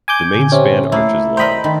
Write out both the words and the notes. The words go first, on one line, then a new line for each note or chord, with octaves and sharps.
The main span arch is long.
G#5 D6 G6
A#2 D3
C3 C#4
A3 A#3 E4 C7
A#4 C5 D#5 G5 A#5 B5
D#3 A5